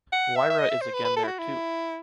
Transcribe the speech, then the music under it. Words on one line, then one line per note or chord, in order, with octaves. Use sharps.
Moira is again there too.
F#5
E5
E5
D#5
E5
C5
B4
B4
A4
E4
F#4
E4